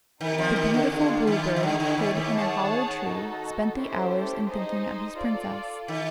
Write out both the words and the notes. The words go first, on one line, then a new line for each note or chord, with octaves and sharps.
The beautiful Blue Bird, hid in a hollow tree, spent the hours in thinking of his princess.
D#3 C4 D#4 G4 A#4
D#3 F3
D#3
D3
D3 D4 F4 G#4
D#3
D#3
D3 E4 G#4 C#5
D3
D#3
D#3
G#4 C#5 F#5 A5
D#4 F#4 A4
A3 C#4 E4 G4 C5
D#4 G#4 C5 D#5
F4 A4 D5
D#3